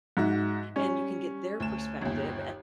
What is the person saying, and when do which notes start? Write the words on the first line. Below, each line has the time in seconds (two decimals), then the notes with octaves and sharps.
and you can get their perspective and
0.17 G#2 F#4 E5
0.76 G3 C#4
1.60 D2 E7
2.01 G1 D#2